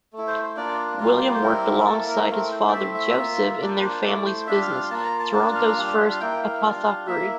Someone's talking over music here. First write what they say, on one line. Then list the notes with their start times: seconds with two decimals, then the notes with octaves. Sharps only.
William worked alongside his father Joseph in their family's business - Toronto's first apothecary.
0.13 A3
0.18 E4
0.27 C5
0.42 C5
0.56 A#3 D4 F4 D5
1.00 G3 A#3 F4
1.34 C5
1.43 G3 C4 E4 A#4
1.86 A#3 E4 A4
2.08 A#4
2.30 A3 C4 E4 A#4
2.52 C5
2.68 D5
2.73 A3 C4 E4 E5
2.95 E5
3.17 A#3 F4
3.54 E5
3.60 A#3 D4 F4 D5
3.82 C5
4.03 A3 E4 D5
4.25 C5
4.47 G3 D4 F4 E5
4.62 F5
4.76 F5
4.90 A#3 F4 A5
5.04 A#5
5.19 A5
5.33 A#3 D4 F4 A5
5.55 F5
5.77 G3 D4 F4
5.97 E5
6.09 F5
6.21 A#3 E4 G5
6.42 F5
6.63 G3 D4 F4
7.07 A#3 E4 E5